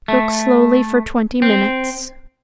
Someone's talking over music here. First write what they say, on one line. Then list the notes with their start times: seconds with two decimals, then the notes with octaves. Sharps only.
Cook slowly for twenty minutes.
0.08 A3
1.42 C4